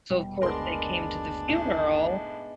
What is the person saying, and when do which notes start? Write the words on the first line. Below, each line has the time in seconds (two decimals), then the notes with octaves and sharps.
so of course they came to the funeral
0.10 F1 B2 G3
0.42 F#1 D2 G#3 B3 D4 A#4 C6
1.49 A2 D#4